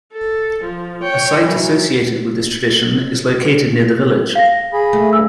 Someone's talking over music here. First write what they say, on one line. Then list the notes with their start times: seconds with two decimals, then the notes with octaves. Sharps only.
A site associated with this tradition is located near the village.
0.13 A4
0.64 F3
1.03 C#5 G5
1.41 E3 F#3
4.36 F5 A#6
4.73 G#4 B5
4.93 A3
5.13 D2 G2 E6